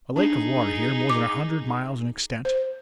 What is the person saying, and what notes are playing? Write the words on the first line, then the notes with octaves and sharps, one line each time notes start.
A lake of water here, more than a hundred miles in extent.
D4 D#4 G#4
D6
C5